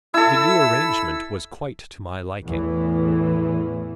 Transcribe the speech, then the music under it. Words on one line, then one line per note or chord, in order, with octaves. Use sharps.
The new arrangement was quite to my liking.
E4 A4 E6
E2 A2 E3